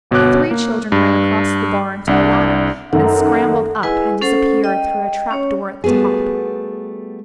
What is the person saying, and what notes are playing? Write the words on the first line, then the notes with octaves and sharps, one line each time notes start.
The three children ran across the barn to a ladder and scrambled up and disappeared through a trap door at the top.
G1 B2 C#5 D6 F#6
A#3
G2
C2 D4 F#5
F#2 D#3 A4 F#5
E4 G#4 B4 D#5 F#5 G#5
C#4 A4 C5 F#5
D#5 G5
C#4 C#5
G3 A3 B3 F#4 G#4